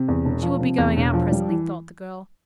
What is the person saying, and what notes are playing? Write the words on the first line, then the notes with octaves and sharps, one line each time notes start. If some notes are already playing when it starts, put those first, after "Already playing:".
"She will be going out presently," thought the girl.
Already playing: C3
E2
E1
F3
C3
E2
E1
F3
G3
E3